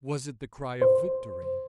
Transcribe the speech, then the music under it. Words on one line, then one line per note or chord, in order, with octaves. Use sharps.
Was it the cry of victory?
C5